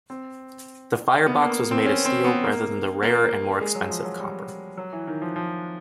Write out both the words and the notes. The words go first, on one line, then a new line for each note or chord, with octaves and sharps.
The firebox was made of steel rather than the rarer and more expensive copper.
C4
B3
A#3
C4
C#4
C4
B3
A#3
A#3
G#3
F#3
F3
F#3
G3
F#3
E3
D#3
F3
F3